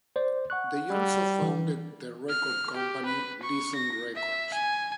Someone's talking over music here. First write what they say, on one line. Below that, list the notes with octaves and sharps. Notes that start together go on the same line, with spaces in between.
They also founded the record company Listen Records.
C5 D5
F#5 C#6 F#6
G3
E3
F6
G4
B4
C#6
A#6
E5
G#5